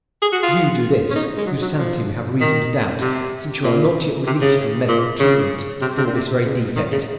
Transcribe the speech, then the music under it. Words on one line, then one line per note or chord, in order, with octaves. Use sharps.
You do this, whose sanity we have reason to doubt, since you are not yet released from medical treatment for this very defect.
G#4
F#4
F4
C#4
D#4
G#3
F#3
F#3
F3
D#3
C3
A#2
C3
C#3
A#2
C#3
C3
C3
A#2
C3
C#3
D#3
C#3